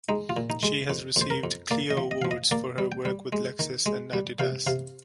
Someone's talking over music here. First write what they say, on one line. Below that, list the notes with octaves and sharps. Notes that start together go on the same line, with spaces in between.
She has received Clio awards for her work with Lexus and Adidas.
G#3 D#4
F4
A#2
D#4
G#3
F2
F2 C5
A#4
F2
A#3 D5
D#5
F3
D#5
F3 F5
D#5
A#3 D5
G3
G5
G3
G#3
D#3
G#3
G3
C3 F5
C3 F5